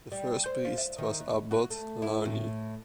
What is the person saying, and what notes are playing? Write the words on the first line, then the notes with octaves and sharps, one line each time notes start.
The first priest was Abbot Launay.
G3
C5
F4
E5
D#3
D#2
F#4
A3
E4
A2